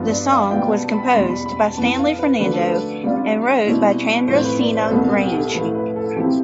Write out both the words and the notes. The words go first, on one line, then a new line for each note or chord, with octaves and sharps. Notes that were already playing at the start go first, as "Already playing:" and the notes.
The song was composed by Stanley Fernando and wrote by Chandrasena Range.
Already playing: G2 F3 B3 F4
D5
F5
B2 G3 B3 F4 G5
A5
B5
B5
E2 B2 G3 C6
B5
B5
A5
F2 E3 B3 A5
F5
B4
D2 D3 F3 A3 D4 B4
A4
B4
C3 G3 D4 F4
B2 G3 C4 E4
A2 F3 C4 C5
B4
D5
C5
A4
C2 B2 B3 B4
G4
A4
A2 F3 A3 E4 B4
B4
A4
C3 F3 C4 E4 G4